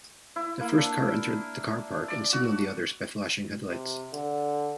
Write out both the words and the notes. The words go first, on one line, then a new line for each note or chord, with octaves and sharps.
The first car entered the car park and signaled the others by flashing headlights.
E4
A#3
D4
D5
F#4
C3
D3